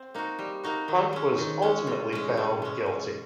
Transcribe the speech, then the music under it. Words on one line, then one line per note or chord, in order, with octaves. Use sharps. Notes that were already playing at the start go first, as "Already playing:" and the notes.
Hunt was ultimately found guilty.
Already playing: C4
A#3 D#4 F#4
G3
A#3 D#4 F#4
D#3
G#3 C#4
D#3
G#3 C#4
B2
G#3 C#4
B2
G#3 C#4
B2